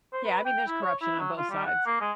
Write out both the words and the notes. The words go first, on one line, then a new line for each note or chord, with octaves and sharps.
Yeah. I mean, there's corruption on both sides,
C5
B4
G5
E4
C#5
E4
F#3
F4
G3
F#5
A#3
G#3